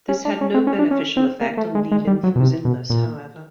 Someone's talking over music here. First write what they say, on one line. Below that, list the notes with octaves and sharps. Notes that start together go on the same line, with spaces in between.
This had no beneficial effect on Li Linfu's illness, however.
C#4
D4
C#4
C4
C#4
D4
C#4
C4
A#3
A3
G#3
G#3
G3
F#3
B2
C3
B2
A#2